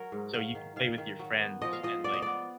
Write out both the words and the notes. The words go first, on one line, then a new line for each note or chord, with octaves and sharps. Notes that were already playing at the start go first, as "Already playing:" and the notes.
So, you can play with your friends and, like,
Already playing: F#3 A#4
G#2
F#3 F5
D#3
D#3 F5
D#3
F#3
B3
F3 D#5
F5
F3 D#5
B3 D5
D#5
B3 D5